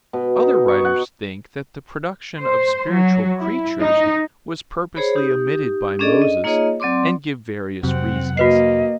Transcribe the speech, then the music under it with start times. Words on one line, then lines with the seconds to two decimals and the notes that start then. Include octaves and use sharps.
Other writers think that the production of spiritual creatures was purposely omitted by Moses, and give various reasons.
0.13 B2
0.36 D#4
0.68 C#6
0.85 F#5
2.39 C5
2.90 F#3
3.39 E4
3.80 D#4
4.96 G#4 C5 C#5 B5
5.16 D#4 G4
5.99 C#4 D4 G#4 A4 D5 D#5
6.22 D#5
6.44 A#3 D#4 F4 G#4 C#5 D#5
6.80 F#3 C4 D5 C6 D6
7.83 F2 C3 F#3 C4 F#5
8.37 A#3 F#4 B4 D#5 C7